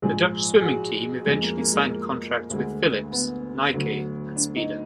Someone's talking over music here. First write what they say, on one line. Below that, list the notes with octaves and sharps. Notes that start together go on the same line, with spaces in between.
The Dutch swimming team eventually signed contracts with Philips, Nike, and Speedo.
A#1 G#2 F3 G#3 G#4
G#4
F#4
F2 F3 G#3
A#3
A#3
G#3
A#3
D2 D3 G#3
B3
D2 D3 F#3
D4
D#4